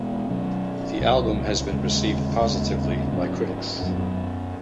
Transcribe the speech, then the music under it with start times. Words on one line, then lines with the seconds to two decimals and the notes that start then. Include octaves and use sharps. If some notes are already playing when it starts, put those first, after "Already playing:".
The album has been received positively by critics.
Already playing: B2 G#3 B3
0.30 B2 F#3 C#4
1.00 C#2 B2 F#3
1.71 D#2 C#3 G#3 C#4
2.41 D#2 C#3 G#3 B3
3.12 G#2 F#3 C#4
3.83 F#2 F#3 B3